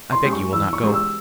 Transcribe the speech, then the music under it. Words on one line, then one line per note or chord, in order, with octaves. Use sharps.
I beg you will not go.
C6
G#3 C#4 G4 C5
C#6
E3 E6
C#6
G#3 C#4 G4 C5
E6